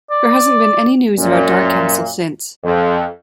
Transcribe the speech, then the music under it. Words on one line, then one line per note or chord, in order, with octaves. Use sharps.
There hasn't been any news about Dark Castle since.
D5
F#2 A#2
F2